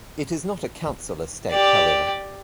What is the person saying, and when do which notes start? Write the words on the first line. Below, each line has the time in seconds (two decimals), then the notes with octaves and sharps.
It is not a council estate however.
1.51 G4 D5